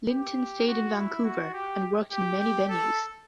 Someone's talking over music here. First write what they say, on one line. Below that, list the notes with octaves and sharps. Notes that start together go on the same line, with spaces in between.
Linton stayed in Vancouver and worked in many venues.
G4
F#4
E4
F#4
G4
G4
G4
A4